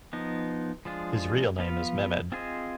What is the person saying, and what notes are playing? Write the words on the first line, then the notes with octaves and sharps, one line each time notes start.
His real name is Mehmed.
F3 B3 D#4
F3 G#3 D4 F4 G#4
F3 B3 F4 B4 F5
C4 F4 G#4 C5 D#5